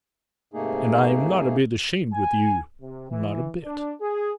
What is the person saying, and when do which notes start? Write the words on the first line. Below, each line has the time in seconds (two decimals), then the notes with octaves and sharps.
And I am not a bit ashamed with you, not a bit.
0.54 G#2 C3 A3 A#3 D#4 G#4
2.13 G#5
2.81 C3
3.10 E3
3.65 D4
4.01 G#4